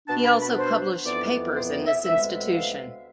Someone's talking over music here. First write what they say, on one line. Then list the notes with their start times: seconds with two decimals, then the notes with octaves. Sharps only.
He also published papers in this institution.
0.08 B2 B3 D4 A5
0.24 B5
0.40 B5
0.58 C5
1.06 F2 E3 B3 D5
1.55 C5
1.71 D5
1.87 E5
2.04 D2 C3 G#3 B3 E5
2.53 F5